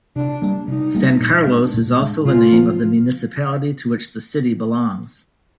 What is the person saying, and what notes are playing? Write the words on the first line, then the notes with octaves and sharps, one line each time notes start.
San Carlos is also the name of the municipality to which the city belongs.
C3 D4
G3 A#3 D4
C3 D#4
G3 A#3 D4
A#2
G#3 D4
A#2
G#3 D4
C3 F4
F3 C4